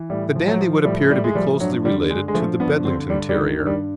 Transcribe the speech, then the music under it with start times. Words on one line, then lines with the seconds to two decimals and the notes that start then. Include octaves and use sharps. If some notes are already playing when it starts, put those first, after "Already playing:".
The Dandie would appear to be closely related to the Bedlington Terrier.
Already playing: E3
0.10 A2 G3
0.35 F3
0.48 F#3
0.61 F3
0.85 A2 G3
1.10 A2 G3
1.24 G#3
1.35 F3 G3
1.60 G2 F#3
1.85 D3 G3
2.10 G2 G#3
2.28 G#3
2.34 F3 A3
2.60 G2 B3
2.85 D3 C4
3.10 G2 G3
3.29 G3
3.35 D#3
3.60 G2
3.66 G3